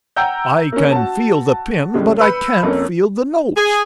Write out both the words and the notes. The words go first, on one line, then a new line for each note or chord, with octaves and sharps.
"I can feel the pin, but I can't feel the notes!"
F#5 G5 A#5 E6 G6
A#3 C#4
F#4 A5
A2 C#3 G3 G#3
B4 B5 E6 G6 C#7
F2 A#3 C#4
G#4